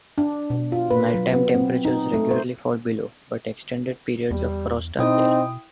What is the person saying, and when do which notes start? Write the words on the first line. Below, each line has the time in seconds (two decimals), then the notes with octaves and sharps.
Nighttime temperatures regularly fall below but extended periods of frost are rare.
0.18 D4
0.50 B2
0.72 F4
0.90 B4
1.14 F#3
1.33 B3
1.54 C4
1.85 D#4
2.14 A3
2.31 C5
4.31 E2 G3
4.99 B2 C4 D#4 E4 G5 D#6